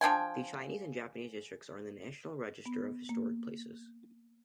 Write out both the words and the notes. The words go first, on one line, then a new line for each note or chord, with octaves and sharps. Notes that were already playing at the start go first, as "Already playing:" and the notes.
The Chinese and Japanese districts are in the National Register of Historic Places.
F3 D4 G5 G#5
B3
A#3